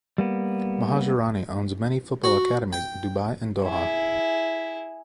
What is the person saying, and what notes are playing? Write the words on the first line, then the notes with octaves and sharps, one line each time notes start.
Mohajerani owns many football academies in Dubai and Doha.
G3 A#3 B3
F#4
G5
E4 G#4